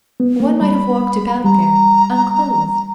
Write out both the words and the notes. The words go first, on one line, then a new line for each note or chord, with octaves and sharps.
One might have walked about there, unclothed.
B3
A#3
G3 B5
G3 A#5